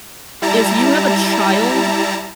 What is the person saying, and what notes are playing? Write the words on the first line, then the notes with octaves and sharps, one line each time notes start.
If you have a child
G3 E4 A5 A#5